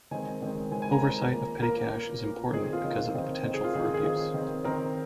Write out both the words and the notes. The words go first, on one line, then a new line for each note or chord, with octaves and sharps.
Oversight of petty cash is important because of the potential for abuse.
D#3 G#3 C4 G#5
D#3 G#3 C4
D#3 G#3 C4 G#5
G#5
A#5
D#3 G#3 C4 A#5
A#2 A#3
A#2 A#3 A#4
A#2 A#3
A#2 A#3
D#3 C4 G#4
G#4
F4
D#3 C4
D#3 C4
D#3 C4
G#4
F4
D#3 C4 G#4
F4
G#4
D#3 C4 G#4
D#3 C4
D#3 C4 A#4